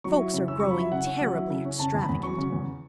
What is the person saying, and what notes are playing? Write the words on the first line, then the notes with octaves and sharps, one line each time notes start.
"Folks are growing terribly extravagant."
F#3 C#6
E4
C#3
C#4 E6
F#3 C#6
B5
E4 E5
C#3 F#5
C#4
F#3
E4
C#3
C#4
C#3 A5
E2
B5
E2
F#3 C#6
C#3
E2